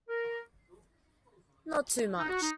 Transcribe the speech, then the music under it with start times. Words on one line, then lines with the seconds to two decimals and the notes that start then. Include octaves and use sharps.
Not too much.
0.09 A#4
2.18 D#4
2.29 F#4
2.42 D#4